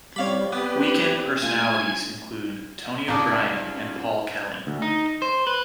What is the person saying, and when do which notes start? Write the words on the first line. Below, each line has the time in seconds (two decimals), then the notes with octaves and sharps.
Weekend personalities include Tony O'Brien and Paul Kelly.
0.16 G3 C4 C#5 D5 F5 B5
0.52 B3 G4 B4
1.42 A3 F4 G#5 G#6
3.08 C#2 C3 D4 D#4
4.67 D2
4.82 D#4
5.22 C5
5.47 B4